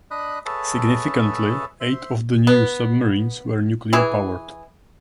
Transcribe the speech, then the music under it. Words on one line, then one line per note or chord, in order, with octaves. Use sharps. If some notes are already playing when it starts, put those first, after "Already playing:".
Significantly, eight of the new submarines were nuclear-powered.
D4 D#5 B5 D#6 F#6
G#4 A4 B4 C#5 E5 A5
C5 E5
B3
E3 E4 G#4